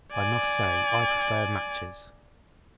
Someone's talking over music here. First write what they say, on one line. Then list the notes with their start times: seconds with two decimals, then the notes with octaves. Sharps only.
I must say I prefer matches.
0.13 D5 G#5